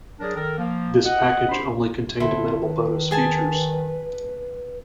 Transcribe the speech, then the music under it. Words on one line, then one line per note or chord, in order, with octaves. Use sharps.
This package only contained minimal bonus features.
F#3 D4 G#4 A#4 D5
D#3 A4 A#4
F3 A#3
D#5 F#5
D4 G4 C5 B5 C6
D3 E4 A4 C6
D#3 B4
G#4 G#5 A5